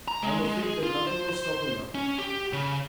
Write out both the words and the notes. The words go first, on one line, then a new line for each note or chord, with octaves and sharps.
I am afraid that nothing will stop him now.
A#5
G#3
G#3
G#4
F4
C5
C5
C#4
G4
C#3